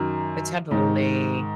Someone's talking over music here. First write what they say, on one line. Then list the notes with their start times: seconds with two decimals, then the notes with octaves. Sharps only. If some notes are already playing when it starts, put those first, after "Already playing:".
the tabbouleh,
Already playing: F#2 D#3
0.71 G#2 D#3